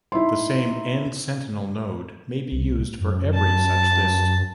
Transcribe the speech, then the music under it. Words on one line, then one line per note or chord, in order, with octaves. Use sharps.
The same end-sentinel node may be used for "every" such list.
D#4 E4 E5 C6
C2
F#2
A5